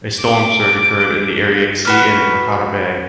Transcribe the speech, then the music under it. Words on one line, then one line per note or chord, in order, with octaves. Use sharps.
A storm surge occurred in the Ariake Sea and in Hakata Bay.
D6
F#4 B4 F6